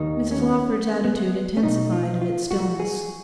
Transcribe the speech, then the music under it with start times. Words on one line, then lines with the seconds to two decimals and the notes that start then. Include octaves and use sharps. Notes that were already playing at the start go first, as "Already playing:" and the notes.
Mrs Lawford's attitude intensified in its stillness.
Already playing: D#2 D#3 D#4
0.31 C#4
1.04 B3
1.57 C#4
1.63 B1 B2 D#4
1.92 F4
2.21 F4
2.51 F#4
2.80 G#4